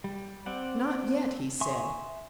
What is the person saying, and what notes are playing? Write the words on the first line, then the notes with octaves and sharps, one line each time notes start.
"Not yet," he said.
G3
C4 D5 F#5
E5 G#5 C6 C#6 D#6